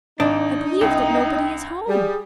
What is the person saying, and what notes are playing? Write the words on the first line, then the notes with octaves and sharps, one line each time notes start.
"I believe that nobody is home."
G#1 D4 D#4
C2 G5
G3 G#4